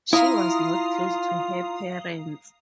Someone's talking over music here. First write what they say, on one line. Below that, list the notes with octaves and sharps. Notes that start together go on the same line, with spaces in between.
She was not close to her parents.
E4 F4 F5 A#5 D#6